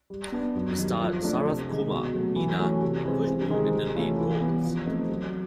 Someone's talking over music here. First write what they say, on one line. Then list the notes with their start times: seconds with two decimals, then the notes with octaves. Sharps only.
It starred Sarath Kumar, Meena and Kushboo in the lead roles.
0.10 G3
0.32 B3 D4
0.55 F#2
0.78 D#3 G3
1.01 F3
1.22 A3 D4
1.46 C3
1.69 D#3 G#3
1.91 B2
2.14 F#3 A3
2.36 E3
2.59 A3 C#4 F#4
2.82 C3
3.05 E3 G#3 C4
3.27 C3
3.50 D#3 G#3 C4
3.73 C3
3.95 E3 A3 C#4 F4
4.18 E3
4.41 G3 B3
4.64 F3
4.86 A3 C4 D#4
5.09 F#3